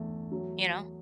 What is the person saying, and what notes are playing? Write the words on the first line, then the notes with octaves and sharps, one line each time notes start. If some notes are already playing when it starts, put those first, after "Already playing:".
you know?
Already playing: E2 A3
F#3